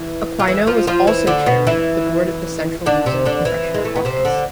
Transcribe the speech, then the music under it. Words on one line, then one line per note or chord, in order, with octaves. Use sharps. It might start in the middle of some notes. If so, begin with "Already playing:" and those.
Aquino was also Chairman of the Board of the Central Luzon Congressional Caucus.
Already playing: E3 E4
F4
E3 E4
F3 F4
F3 F4
E3 E4
D3 D4
B2 B3
E3 E4
D3 D4
C3 C4
D3 D4
E3 E4
G#3
A3
B3
C3 C4
D3 D4